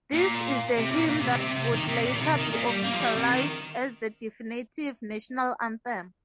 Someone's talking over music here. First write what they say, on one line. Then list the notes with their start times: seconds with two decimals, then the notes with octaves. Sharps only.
This is the hymn that would later be officialized as the definitive national anthem.
0.12 A#2
0.77 C3
0.92 A#2
1.08 A#2
1.19 C3
1.30 C3
1.40 C3
1.56 C3
1.72 D#3
1.87 C3
2.04 A#2
2.13 D#3
2.20 C3
2.35 D#3
2.52 A#2
2.67 G3
2.83 A#3
2.93 F3
3.00 G3
3.16 C3
3.31 D#3